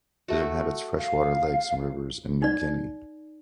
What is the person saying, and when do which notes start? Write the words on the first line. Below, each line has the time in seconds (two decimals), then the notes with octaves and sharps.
It inhabits freshwater lakes and rivers in New Guinea.
0.28 A3 F#4
0.98 F5
2.42 D#4 D5